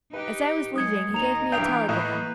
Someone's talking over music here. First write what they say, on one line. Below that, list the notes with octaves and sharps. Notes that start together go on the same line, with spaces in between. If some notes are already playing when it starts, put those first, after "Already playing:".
As I was leaving he gave me a telegram.
D#4 G4 B4
F#3 G#3 D#6 G#6 C#7
D#2 D#3 D#5 A#5 F7
E3 D4 F5 G5 D#6 G6 F7
A2 A#3 B4 D#5 F#6 E7